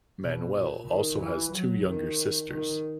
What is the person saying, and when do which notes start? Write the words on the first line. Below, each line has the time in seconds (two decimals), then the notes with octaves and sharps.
Manuel also has two younger sisters.
0.22 B2
0.55 A#2
0.87 D#3
1.19 E3
1.52 F#3
1.84 D#3
2.49 D#3